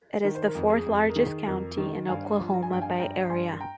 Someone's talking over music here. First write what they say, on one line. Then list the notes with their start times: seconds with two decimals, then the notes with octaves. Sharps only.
It is the fourth-largest county in Oklahoma by area.
0.24 D#3 A#4
0.35 C5
0.47 A#4
0.55 F2
0.70 G#4
0.86 F2
1.09 A#4
1.16 D#3 G#4
1.46 F2 A#4
1.77 D#3
2.08 G2 F5 G#5
2.39 F3
2.54 A#5
2.63 G#5
2.70 G2 G5
2.81 F5 G#5
2.99 G2 G5 A#5
3.30 G2 G#5 C6
3.60 G5 A#5